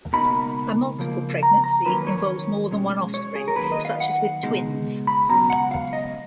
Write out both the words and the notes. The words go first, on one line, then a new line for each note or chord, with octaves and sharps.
A multiple pregnancy involves more than one offspring, such as with twins.
C#2 B2 A#3 D#4 B5
C#3 F3 A#3
A#5
A#5
F2 D#3 F#3 A#3 C#4 B4
C#5
B2 G#3 C#4
C#5
G#4
A#4
F#2 D#3 A#3 B4
D#5
F5
F#5
C#2 B2 G#3 D#4
B5
C#2 B2 F#3 C#4 A#5
F#5
F5
D#5